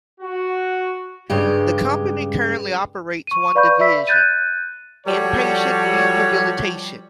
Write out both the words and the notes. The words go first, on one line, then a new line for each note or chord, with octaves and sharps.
The company currently operates one division: inpatient rehabilitation.
F#4
G2 C#3 G#3 G4
C#6 D#7
B4 D5 F5 B5 C#6 G6
D5 E5 B5 E6 B6
F#6 G6 A6 D#7
F3 G3 F#4 A4 C#5